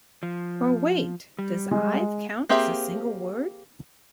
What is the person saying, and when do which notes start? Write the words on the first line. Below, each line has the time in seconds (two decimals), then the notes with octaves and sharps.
Or wait, does I've count as a single word?
0.23 F3
1.39 G3
1.71 G#3
2.49 A#3 C4 G4 G#4 E5